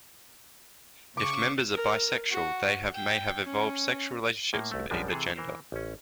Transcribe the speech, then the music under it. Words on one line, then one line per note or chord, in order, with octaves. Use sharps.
If members are bisexual, they may have evolved sexual relationships with either gender.
C#3 C#6 D6
A#4
F#4
G5
C#4
A2 A#3
C2 A3
A#1 F#2 F3 G3 G#3 D4
C3 E3 G#4 A4
E3 A#4 C5
A1 C#4